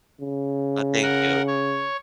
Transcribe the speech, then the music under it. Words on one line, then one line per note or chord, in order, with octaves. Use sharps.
Uh, thank you.
C#3
A#4 F#5
C#5